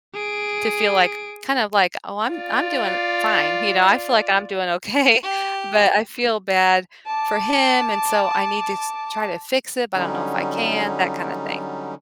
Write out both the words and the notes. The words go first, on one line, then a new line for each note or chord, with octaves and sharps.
to feel like, kind of like, "Oh, I'm I'm doing fine." You know? I feel like I'm doing okay, but I feel bad for him, and so I need to s try to fix it, but I don't know if I can, that kinda thing.
G#4 D7
F4 D5
G4
A5 D6
D3 F#3 G3 C#4 D#4